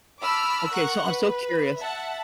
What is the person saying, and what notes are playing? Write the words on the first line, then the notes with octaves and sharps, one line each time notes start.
Okay, so I'm so curious
A5 B5 D6 E6 F6
A#4 F#5 C#6 F#6
B4
E5 F#5 A5